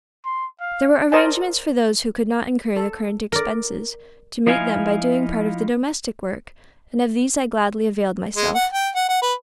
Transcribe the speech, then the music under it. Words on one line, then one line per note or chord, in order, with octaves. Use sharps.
There were arrangements for those who could not incur the current expenses, to meet them by doing part of the domestic work, and of these I gladly availed myself.
C6
F5
A#4 C5 D5 D#5 G#5 A5
A4
A#4 D5
F3 D#4 E4 F5 G#5
G#3
F#5
G5
F#5
F#5
B4